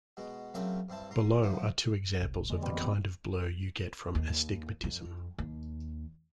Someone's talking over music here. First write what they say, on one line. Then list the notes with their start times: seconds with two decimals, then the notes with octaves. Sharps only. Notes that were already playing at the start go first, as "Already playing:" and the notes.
Below are two examples of the kind of blur you get from astigmatism.
0.17 B2 G#3 F#4
0.54 C#3 F#3 A3 A#3 C4 C#4
0.89 G2 C4 E4 A5
1.10 G#2 A#5 C6
1.42 D3 F3 F#3 A3
2.21 E1 C2
2.50 F2 D3 G#3 A#3 D5 D#5
2.62 B2 E3 G3 C4
4.15 D#2
4.84 F2
5.38 D#2